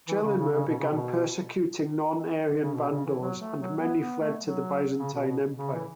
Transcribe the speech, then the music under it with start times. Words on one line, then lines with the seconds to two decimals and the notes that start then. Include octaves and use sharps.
Gelimer began persecuting non Arian Vandals, and many fled to the Byzantine Empire.
0.08 E3
0.22 C#3
0.37 C#3
0.53 C#3
0.67 B2
0.79 C#3
0.89 B2
2.62 C#3
2.75 B2
2.90 C#3
3.05 E3
3.21 F#3
3.40 A3
3.60 F#3
3.79 B3
4.00 B3
4.19 A3
4.40 F#3
4.99 C#3
5.14 B2
5.28 B2
5.58 C#3
5.73 E3